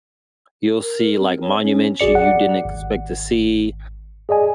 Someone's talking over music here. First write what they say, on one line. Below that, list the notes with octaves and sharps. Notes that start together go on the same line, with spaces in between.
you'll see, like, monuments you you didn't expect to see,
A#4
C4
C#5
C#4
A1 F#4 G#4 D5 C#7
D5 F#5
G#1
G#4 D5 D#5 G#5